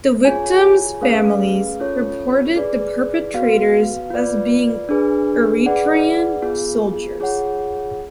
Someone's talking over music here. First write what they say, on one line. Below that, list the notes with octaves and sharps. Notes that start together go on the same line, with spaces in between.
The victims’ families reported the perpetrators as being Eritrean soldiers.
F4 G#4 C#5 G#5
A3 C#4 G#4 B4 F5
C#4 F4 A4 C#5
G#4 B4 D5
B3 F#4 B4 F5
F4 B4 D5
D4 G#4 B4
G#4 B4 D5 F#5
B3 F4 G#4
F4 G#4 C#5 F#5